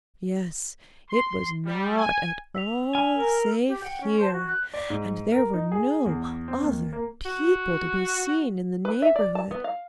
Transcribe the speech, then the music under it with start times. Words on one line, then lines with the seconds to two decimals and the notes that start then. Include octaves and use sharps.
Yes, it was not at all safe here, and there were no other people to be seen in the neighbourhood.
1.09 C6
1.66 G3
1.98 G#5
2.55 E6 B6 F7
2.95 G#5 F6
3.17 A#4
3.67 G4
3.83 F#5 G5
4.00 C#4
4.19 C5 A5 C6
4.31 F#4
4.48 F#6
4.74 D5
4.90 G#2
5.32 A#4
5.54 D#4
5.72 G#4
6.06 E2
6.48 C4
6.62 D#2
6.93 A#3
7.25 F#4
8.85 B4
9.02 E5
9.16 D5
9.35 A5
9.51 B3
9.64 F5